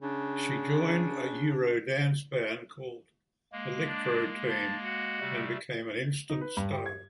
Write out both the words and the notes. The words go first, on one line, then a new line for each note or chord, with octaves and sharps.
She joined a eurodance band called Electro Team and became an instant star.
C#3 D4
G#3 A#3
D4
A5
F#4
C3 G3 A3
D#4
B4
G2
G4
G#6